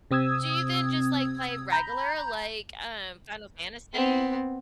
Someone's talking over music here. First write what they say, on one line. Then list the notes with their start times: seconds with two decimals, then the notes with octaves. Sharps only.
do you then just, like, play regular, like, um, Final Fantasy?
0.11 C3 C4 D#6 E6 G#6
1.72 A#5 B5 G6
3.93 B3 C4